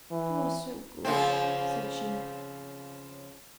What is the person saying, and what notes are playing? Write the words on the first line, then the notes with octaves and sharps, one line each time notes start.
"You are so good," said she.
E3
C#3 F3 C4